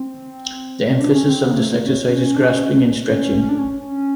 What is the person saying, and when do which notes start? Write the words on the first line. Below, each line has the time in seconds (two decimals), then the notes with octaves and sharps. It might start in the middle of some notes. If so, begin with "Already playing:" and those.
The emphasis of this exercise is grasping and stretching.
Already playing: C4
0.94 C#4
1.00 D4
1.15 C#4
1.29 C4
1.44 B3
1.51 A#3
1.58 A3
1.72 A#3
1.87 C#4
2.36 D4
2.44 C#4
3.49 D4
3.59 C#4